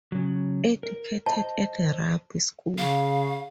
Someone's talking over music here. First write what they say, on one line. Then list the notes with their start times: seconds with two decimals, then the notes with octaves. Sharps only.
Educated at Rugby School.
0.12 C#3 F#3
0.83 A#4
1.26 C5 D#5 A5
2.78 C#3 F5